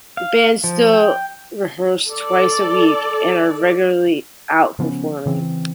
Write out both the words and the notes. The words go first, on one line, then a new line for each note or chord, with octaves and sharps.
The band still rehearse twice a week and are regularly out performing.
F5
F3
G5
A4 D5
C#3 F3 B3 C#4
C#3 E3 C4